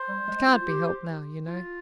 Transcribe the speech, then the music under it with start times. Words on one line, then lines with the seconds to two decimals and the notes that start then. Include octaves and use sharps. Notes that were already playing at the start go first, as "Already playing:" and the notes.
It can't be helped now, you know.
Already playing: C5
0.08 G3
0.28 G#3
0.48 F4
0.68 G4
1.47 F4